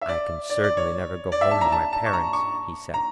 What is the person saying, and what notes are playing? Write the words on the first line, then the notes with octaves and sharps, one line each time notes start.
'I can certainly never go home to my parents,' he said.
E5
D5
D5
D5
C#5
D5
E5
A5
A#5
A5
A5
C#6
A#5
C#6
A#5